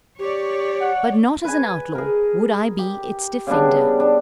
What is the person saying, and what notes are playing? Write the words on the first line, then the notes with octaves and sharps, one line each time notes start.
But not as an outlaw, would I be its defender.
G4 C#5 D5
F#5
B4 G#5
G#4 A#4
G4
C#3 G3 B3 D4
D4